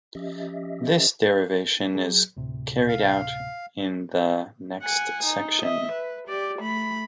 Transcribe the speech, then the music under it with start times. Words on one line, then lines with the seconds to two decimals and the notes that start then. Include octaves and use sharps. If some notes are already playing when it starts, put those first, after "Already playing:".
This derivation is carried out in the next section.
0.15 F3 C#4 G4 D#5 E5
1.95 F#3 G#4
2.37 D2 A2 C3
2.88 F5
4.83 F#5 G#5
5.24 D#4
5.62 D#5 E5
5.92 B4
6.28 G4 D5
6.59 A3 B5